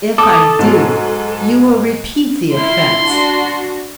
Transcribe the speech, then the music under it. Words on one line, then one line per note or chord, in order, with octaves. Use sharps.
'If I do, you will repeat the offence.'
A4 D6 D#6
G#2 F#3
E4 F4 C6
D4 F#4